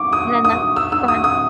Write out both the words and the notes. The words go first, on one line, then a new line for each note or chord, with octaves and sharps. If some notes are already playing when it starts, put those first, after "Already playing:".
And then that go ahead.
Already playing: C#6 D6
D#6
D#6
E6
E6
D#6
D#6